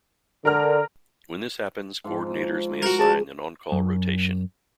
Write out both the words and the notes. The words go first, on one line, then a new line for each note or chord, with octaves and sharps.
When this happens, coordinators may assign an on-call rotation.
D3 A#4 A#5 F6
G#2 F3
F#4 A#4
G#4 A5
F#2